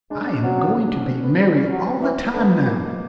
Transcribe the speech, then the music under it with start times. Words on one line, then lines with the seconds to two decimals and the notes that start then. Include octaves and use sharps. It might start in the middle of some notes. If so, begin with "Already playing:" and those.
I am going to be merry all the time now.
0.11 G#3 D4
0.21 D4
0.27 C#4
0.43 F#3 C4
0.59 C#4
0.75 C4
0.86 D4
0.97 C#4
1.06 C4
1.23 B3
1.38 G3 C4
1.54 C#4
1.71 F#3
1.86 B3
1.94 C4
2.02 E3 C#4
2.18 C4
2.34 D3 B3
2.50 F3
2.65 D#3 A#3